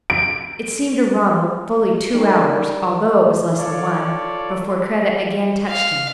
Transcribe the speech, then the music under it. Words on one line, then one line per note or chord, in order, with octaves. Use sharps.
It seemed to Ronald fully two hours, although it was less than one, before Kreta again touched him.
D7
G3 D#4 A4 A#4
F4 A4 C#5 D5
F5